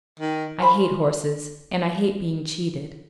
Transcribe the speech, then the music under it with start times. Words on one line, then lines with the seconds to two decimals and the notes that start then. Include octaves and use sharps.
"I hate horses, and I hate being cheated."
0.20 D#3
0.59 C#4 F4 C5 B5